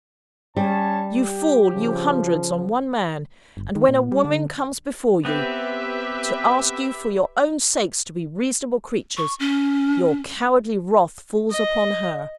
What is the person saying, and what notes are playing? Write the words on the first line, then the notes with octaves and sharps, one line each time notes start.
You fall--you hundreds--on one man; and when a woman comes before you, to ask you for your own sakes to be reasonable creatures, your cowardly wrath falls upon her!
G3 C#4 C#5 A5
G4
C#3 F3
G1
D#3
A#2
G3
D3
B3 C4 G4 B4 E5
C#6
C#4
D#5